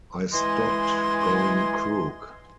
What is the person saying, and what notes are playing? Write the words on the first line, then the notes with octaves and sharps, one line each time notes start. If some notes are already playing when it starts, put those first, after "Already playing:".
I stopped going crook.
E3 G#3 D#5 G#5 C6